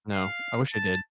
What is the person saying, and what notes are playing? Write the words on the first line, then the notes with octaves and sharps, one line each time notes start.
No. I wish I did.
F5
A5